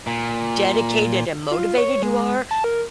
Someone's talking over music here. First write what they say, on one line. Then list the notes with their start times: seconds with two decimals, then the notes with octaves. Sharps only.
dedicated and motivated you are
0.07 A#2
1.51 F4
1.78 C#5
2.03 G#3
2.51 A5
2.64 A#4